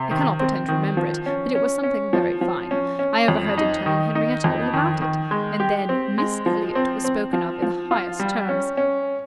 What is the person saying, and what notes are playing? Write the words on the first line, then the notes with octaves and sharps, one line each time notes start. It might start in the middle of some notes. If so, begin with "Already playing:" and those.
I cannot pretend to remember it, but it was something very fine--I overheard him telling Henrietta all about it; and then 'Miss Elliot' was spoken of in the highest terms!
Already playing: C3
D#3
C4
D#3
F3
C#4
C#4
C#4
F3
F3
C#4
C#4
F2
D#4
D#3
D#4
F2
D#3
D#3
G#3
G4
C4
G#3
F3
C4
C4
F3
F3
F4
G3
C#4
C#4